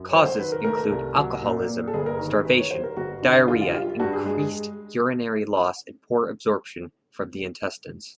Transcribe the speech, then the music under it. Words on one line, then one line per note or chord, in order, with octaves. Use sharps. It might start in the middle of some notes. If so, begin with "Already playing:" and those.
Causes include alcoholism, starvation, diarrhea, increased urinary loss, and poor absorption from the intestines.
Already playing: F#2
C#5
F#3 C5
C5
D#3 B4
A#4
A3 A#4
A#4
C2
F#3
A#2
A#3
A4
G1 G#4
A#4
D#3
G#4
F#2 B4
C#5
G3 C5
A#4
G1 F#4
D3
F#2 F4
F4
G3 F4
G2 F#4
G#4
G#3 G#4
G#4